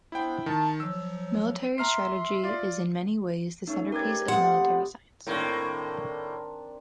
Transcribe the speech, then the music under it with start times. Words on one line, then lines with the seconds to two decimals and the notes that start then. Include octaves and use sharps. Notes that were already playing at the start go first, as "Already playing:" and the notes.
Military strategy is in many ways the centerpiece of military science.
0.12 B3 D4 E4 C5 G5
0.46 D#3 A5
0.80 F3 F#3 E6
1.78 E5 A#5 C6 F6 C7
2.44 F4 D5
3.67 A3 C#4 D#4 C#5
3.92 G4 A#4 B4 D5 G#6
4.28 C3 F3 B3 F#5 C6
5.27 A2 D#3 A#3 C4 D4